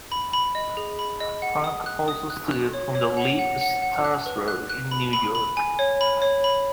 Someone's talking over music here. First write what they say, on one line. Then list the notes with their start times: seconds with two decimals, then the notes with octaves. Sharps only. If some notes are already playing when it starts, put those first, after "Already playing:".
Frank also studied under Lee Strasberg in New York.
0.12 B5
0.33 B5
0.55 D#5
0.77 G#4
0.99 B5
1.20 D#5
1.42 F#5
1.64 D#6
1.86 F#6
2.08 D#6
2.30 F#6
2.52 F#6
2.73 C#5
2.95 C#5
3.17 F#5
3.39 F#5
3.61 F#5
3.82 F#5
4.04 F#6
4.26 B4
4.48 F#6
4.70 F#6
4.91 B5
5.13 B5
5.35 B5
5.57 G#5
5.79 C#5
6.01 B5
6.22 C#5
6.44 B5